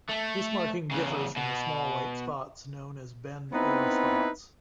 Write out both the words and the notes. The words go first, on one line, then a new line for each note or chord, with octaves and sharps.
This marking differs from the small white spots known as Bend-Or spots.
A3
E2 C#3
B2
B3 C4 D#4 E4 B4